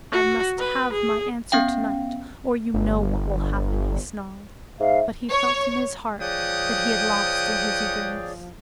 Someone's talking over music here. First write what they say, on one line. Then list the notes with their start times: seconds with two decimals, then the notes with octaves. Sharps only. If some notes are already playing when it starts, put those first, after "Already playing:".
"I must have my answer to-night, or you know what will happen," he snarled, but he felt in his heart that he had lost through his eagerness.
0.12 F#4
0.58 B4
0.92 G#4
1.52 B3 C#4 F5 G5
2.74 G1
4.80 G#2 E5 F5
5.29 C#5
6.21 F3 C#4 G#4 C#5 D5 F#5 G5 D#6